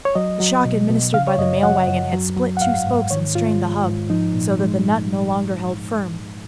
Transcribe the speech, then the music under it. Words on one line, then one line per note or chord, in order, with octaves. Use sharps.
The shock administered by the mail-wagon had split two spokes and strained the hub, so that the nut no longer held firm.
C#5
F#3 D#5
F#3
B2
B2
C#3 F5
C#5
F#2 D#5
F#3 F#5
F#2
F#3
F#3
F#5
G#2 F5
G#2
D#3 C#5
G#2 F4
G#3
G#2
F3 D#4
A#2
G#3